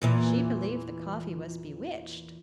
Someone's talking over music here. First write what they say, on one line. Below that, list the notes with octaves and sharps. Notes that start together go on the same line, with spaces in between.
She believed the coffee was bewitched.
E2 A#2 E3